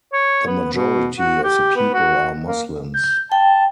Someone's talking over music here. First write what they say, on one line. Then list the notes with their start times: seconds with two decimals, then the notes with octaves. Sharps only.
The majority of the people are Muslims.
0.13 C#5
0.47 B3
0.73 B2
1.17 F#4
1.44 G4
1.76 B3
1.94 F#4
2.44 A#3
2.95 G6
3.32 G5 A5